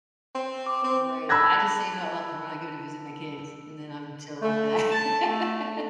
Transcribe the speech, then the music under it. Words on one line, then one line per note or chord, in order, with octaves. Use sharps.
Right. I just save it all up for when I go to visit my kids, and then I'm chill after that.
C4
D6
C4
A5 B5 E6 F#6 G#6 A#6
A3
A5
A3